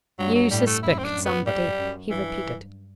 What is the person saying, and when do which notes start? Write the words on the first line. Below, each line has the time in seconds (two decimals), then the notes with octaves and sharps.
"You suspect somebody," he repeated.
0.19 G2 F#3
0.35 F#3
0.51 A2 G3
0.67 A3
0.82 F#2 E4
0.99 C4
1.04 D4
1.15 F#2
1.25 B3
1.47 G3
1.78 F#2
2.10 G2 E3